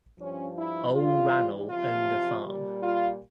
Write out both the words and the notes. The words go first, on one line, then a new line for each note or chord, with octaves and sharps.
Ole Ran'l owned a farm.
G2 F3 C#4
E4
E2 E3 G3 F4
E2 C3 F3 F4
A#2 G3
F4